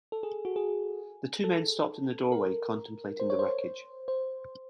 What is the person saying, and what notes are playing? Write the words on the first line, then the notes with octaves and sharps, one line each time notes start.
The two men stopped in the doorway, contemplating the wreckage.
A4
G#4
F#4
G#4
A4
A#4
C5
C#5
C5
C5